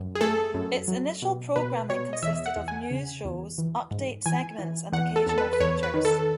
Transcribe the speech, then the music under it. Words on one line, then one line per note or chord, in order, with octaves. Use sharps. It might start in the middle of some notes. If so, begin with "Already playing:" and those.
Its initial programming consisted of news shows, update segments and occasional features.
Already playing: F#2
G#4
A3 A4
F#2
F#3
B2
B2 B4
B2 C#5
D#5
E2 E5
F#5
E2
G#5
C#3
E2
E3
G#2
E3 G#5
E3
E2 F#5
A4
E2 A4
B4
B4
E2 C#5
B4
D#3
A4